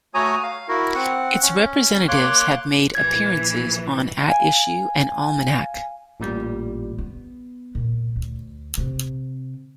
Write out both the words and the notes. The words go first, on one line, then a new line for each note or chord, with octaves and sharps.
Its representatives have made appearances on "At Issue" and "Almanac".
A3 F#4 C#5 G#5 A#5 D#6
F5
E4 F#4 A#4
C4 F#5
C#4
A#3 C#5 C6 D6 F#6
A#1 E3 G#6
F5 G#5
A1 A#2 G3
B3
A#2
D2
C3